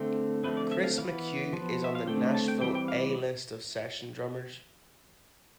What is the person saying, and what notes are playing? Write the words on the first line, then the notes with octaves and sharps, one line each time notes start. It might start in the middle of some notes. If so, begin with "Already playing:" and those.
Chris McHugh is on the Nashville "A" list of session drummers.
Already playing: D3 A3 C4
D3 F3 A3 C4 B4
D5
E5
F5
E3 B3 F5
F3 B3
E5
F5
D3 A3 C4 G5
A5
G5
E3 G3 C4 G5
G5
F5